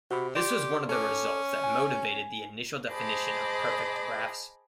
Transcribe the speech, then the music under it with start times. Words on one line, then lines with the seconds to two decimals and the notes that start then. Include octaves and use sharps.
This was one of the results that motivated the initial definition of perfect graphs.
0.11 C3 F#4 B5
0.35 G4 D5 C6
0.89 C#4 A4 D6
1.64 G#5
2.89 G#4 C5 D#5 A5 B5 D6